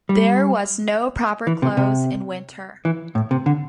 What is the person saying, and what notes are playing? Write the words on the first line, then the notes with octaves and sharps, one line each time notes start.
There was no proper clothes in winter.
G3
E3
C3
C3
E3
A2
C3
D3